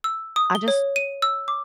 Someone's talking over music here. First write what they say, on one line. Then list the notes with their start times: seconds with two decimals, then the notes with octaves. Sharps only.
I just
0.04 E6
0.36 D#6
0.55 G7
0.68 C#5
0.96 D#7
1.22 E6
1.48 D6